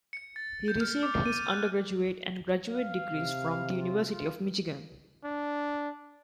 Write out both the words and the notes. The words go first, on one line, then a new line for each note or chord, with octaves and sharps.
He received his undergraduate and graduate degrees from the University of Michigan.
C#7
A6
G6
F6
D6
D#7
F#6
F5
C3
F5
F4
F4
D4